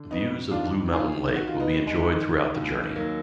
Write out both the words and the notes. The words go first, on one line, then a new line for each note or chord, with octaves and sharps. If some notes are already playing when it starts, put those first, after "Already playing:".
Views of Blue Mountain Lake will be enjoyed throughout the journey.
Already playing: D3
F2 B3 D#4
D#3 D4 F4
D#3 F4 G#4
D#3 F#4
F4
B3 D#4
D#3
G#3
D#3
D#2
D#3 F#3 A#3